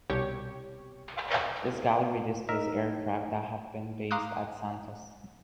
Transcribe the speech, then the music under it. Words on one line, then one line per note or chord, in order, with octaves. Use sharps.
This gallery displays aircraft that have been based at Santos.
C2 B2 G4 C#5
D#4 A#4 E5
F5 A#5 C6 D6 D#6 F#6